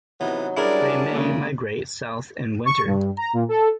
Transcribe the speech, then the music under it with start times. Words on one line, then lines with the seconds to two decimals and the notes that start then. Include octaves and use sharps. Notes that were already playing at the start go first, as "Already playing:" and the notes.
They may migrate south in winter.
0.21 C3 E3 F#3 B3 D#4
0.57 G3 C#4 D4 E4 G#4 A#4 D5
1.09 C#3 G#3 A#3
2.65 C#6
2.86 G2
3.17 A#5
3.33 A#2
3.49 A4